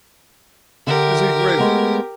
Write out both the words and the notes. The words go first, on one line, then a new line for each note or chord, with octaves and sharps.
Is he grateful?
D3 G4 A#4 E5
G#3 A3 B3